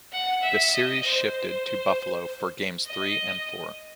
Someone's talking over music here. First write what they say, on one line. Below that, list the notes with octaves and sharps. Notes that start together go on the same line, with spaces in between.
The series shifted to Buffalo for games three and four.
F#5
E5
D#5
C5
D#5